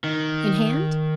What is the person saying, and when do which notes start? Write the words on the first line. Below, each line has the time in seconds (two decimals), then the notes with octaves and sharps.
"In hand?"
0.04 D#3